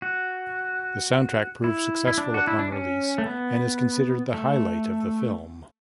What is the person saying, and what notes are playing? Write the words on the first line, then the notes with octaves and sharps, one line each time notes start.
The soundtrack proved successful upon release and is considered the highlight of the film.
F#4
E4
E4
D4
F#4
E4
D4
C#4
A3
B3
A3